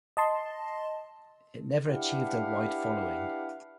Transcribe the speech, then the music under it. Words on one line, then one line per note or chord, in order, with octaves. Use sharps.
It never achieved a wide following.
D#5 A5 C6
D4 E4 G4 B4 F5 F#5